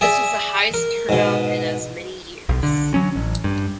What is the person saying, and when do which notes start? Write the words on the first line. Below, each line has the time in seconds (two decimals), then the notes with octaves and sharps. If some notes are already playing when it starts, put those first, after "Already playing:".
This was the highest turnout in as many years.
0.01 G#4 D5 E5
0.74 A#4
1.09 G#2 B2
2.49 B1
2.63 D3
2.94 F#3 C#4
3.16 A1
3.44 G2